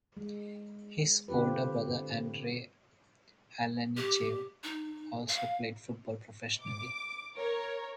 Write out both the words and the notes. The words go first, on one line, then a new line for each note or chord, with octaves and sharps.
His older brother Andrei Alenichev also played football professionally.
G#3
D3 C4 F4 G4 B4
G4
D#4
F5
D6
A#4 C#5